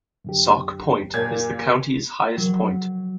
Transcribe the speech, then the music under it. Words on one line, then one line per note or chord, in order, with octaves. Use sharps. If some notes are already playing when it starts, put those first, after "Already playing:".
Sauk Point is the county's highest point.
F#2 D3 G4
A#2 G#6
F#3